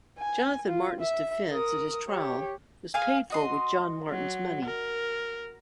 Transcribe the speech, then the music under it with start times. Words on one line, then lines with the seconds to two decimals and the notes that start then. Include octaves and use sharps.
Jonathan Martin's defence at his trial was paid for with John Martin's money.
0.19 G#5
0.68 F4
1.00 E5
1.51 A#4 D#6
2.08 G4 C#5
2.94 G#4 F5 G#5
3.30 F#4 D#5 C6
4.09 F#3
4.65 A#4